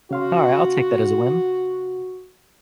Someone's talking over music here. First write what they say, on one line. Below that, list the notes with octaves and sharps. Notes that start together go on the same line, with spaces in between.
Alright. I'll take that as a win.
C#3 F#4 F5 C6